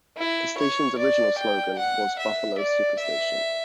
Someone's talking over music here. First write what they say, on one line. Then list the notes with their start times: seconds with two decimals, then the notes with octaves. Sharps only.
The station's original slogan was "Buffalo's Superstation".
0.17 E4
0.58 C#5
0.98 D5
1.38 G5
1.79 F#5
2.19 E5
2.58 D5
2.99 E5